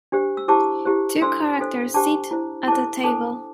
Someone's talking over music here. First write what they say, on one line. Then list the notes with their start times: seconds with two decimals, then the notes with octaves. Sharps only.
Two characters sit at a table.
0.12 D4 G4 C5
0.37 E6
0.48 E4 G4 C5 A5 D6
0.85 E4 G4 C5
1.22 D4 A4 C5 C6 E6
1.59 D4 A4 C5
1.94 D4 G4 C5 A5 D6
2.31 E4 C5
2.68 E4 A4 C5 A5 D6
3.04 D4 A4 C5 A5 D6